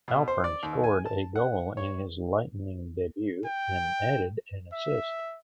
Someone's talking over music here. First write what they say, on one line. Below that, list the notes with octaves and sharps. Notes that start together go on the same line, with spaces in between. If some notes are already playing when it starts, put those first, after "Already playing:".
Halpern scored a goal in his Lightning debut, and added an assist.
B2
C5
D5
D#2
G#5
A5
F#5
C#5
G5
E5